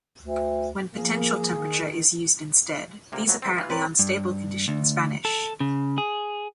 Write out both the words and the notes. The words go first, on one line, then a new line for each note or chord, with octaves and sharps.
When potential temperature is used instead, these apparently unstable conditions vanish.
D2
F3 A#3 G#4
D#3
D2 C3 A#3
F2 F#3
E2 C4
E3 F4
C4 A#4 B4 C#5 D5
G2
D2
A4
C#3
G#4